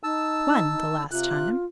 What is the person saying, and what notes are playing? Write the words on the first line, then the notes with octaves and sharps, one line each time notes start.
"One, the last time."
D#4 A5 E6
C3 F4 F#6